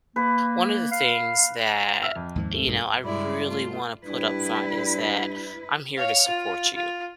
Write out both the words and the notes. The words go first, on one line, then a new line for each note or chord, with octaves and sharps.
One of the things that, you know, I really wanna put up front is that I'm here to support you,
A#3 B4
F5
E5 E6 F6
F2
D#2 G#2 F3
A3
A#1 G2 B2
G2 G#3 E4 D5
A3 F4
G3 D4 E4 B4
C#5 F5
F4
F4